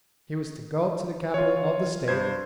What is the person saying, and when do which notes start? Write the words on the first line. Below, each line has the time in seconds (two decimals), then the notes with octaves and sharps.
He was to go to the capital of the State.
1.34 F4 C#5
2.08 G2 C5 G#6